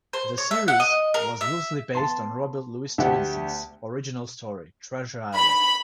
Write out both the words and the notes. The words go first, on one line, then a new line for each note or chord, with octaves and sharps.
The series was loosely based on Robert Louis Stevenson's original story "Treasure Island".
C5
C#5
E5
F#5
D#5
A#4
E5
B3 A5 C6
D2 A3 G4 F#5
B5